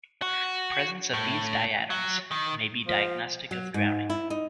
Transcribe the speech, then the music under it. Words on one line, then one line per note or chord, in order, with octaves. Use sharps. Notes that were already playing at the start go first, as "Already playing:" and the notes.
Presence of these diatoms may be diagnostic of drowning.
F#4
A2
F#3
D#3
F3
F#3
G#2
E4
D#4